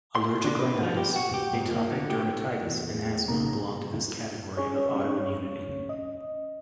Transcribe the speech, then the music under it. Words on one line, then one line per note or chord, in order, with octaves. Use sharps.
Allergic rhinitis, atopic dermatitis, and asthma belong to this category of autoimmunity.
C6
D4
B4
F3
G4
F#4
G4
G#2
A#3
D3
G4
E2
A2 G#3
B1 C#3 A#3 A#4 A#5
C#4 G#4 C#5
C#4 C#5
D#5